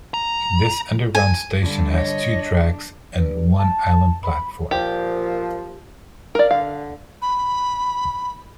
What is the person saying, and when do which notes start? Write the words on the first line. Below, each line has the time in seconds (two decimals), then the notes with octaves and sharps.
This underground station has two tracks and one island platform.
0.14 A#5
1.15 G#5
1.62 G2 D3
1.93 C#5 D#5
2.29 D4
3.14 G2
3.58 A5
4.23 B5
4.71 A#2 F3 G4
6.35 A#4 D5 F5
6.51 D3 F5
7.22 B5